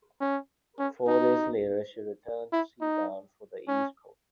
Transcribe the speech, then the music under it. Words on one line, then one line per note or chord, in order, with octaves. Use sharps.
Four days later, she returned to sea bound for the East Coast.
C#4
C#4
D#4
E4
D#4
C#4